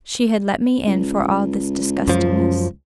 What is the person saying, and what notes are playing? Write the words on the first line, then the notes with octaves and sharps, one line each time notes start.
She had let me in for all this disgustingness.
C#2
F#2 F3